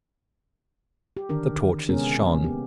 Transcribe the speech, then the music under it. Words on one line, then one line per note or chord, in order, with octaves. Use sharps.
The torches shone.
G4
D3 D#3 D4 A#4
C3 G#3 B3 C#4 G#4 A#4
A#3 B3 G4